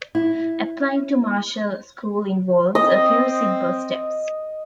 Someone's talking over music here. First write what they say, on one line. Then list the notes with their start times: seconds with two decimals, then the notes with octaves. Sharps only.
Applying to Marshall School involves a few simple steps.
0.15 E4
2.75 C4 D#5